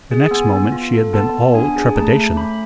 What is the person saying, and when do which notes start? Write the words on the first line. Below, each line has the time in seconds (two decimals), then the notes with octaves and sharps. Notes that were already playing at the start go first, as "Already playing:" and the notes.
The next moment she had been all trepidation.
0.11 G#4
0.31 B3 G#5
0.53 B3
0.72 F4
0.93 A4
1.13 B3 A5
1.34 B3
1.54 D4 G#5
1.76 G#4
1.95 A3 A5
2.17 A3
2.36 C#4 B5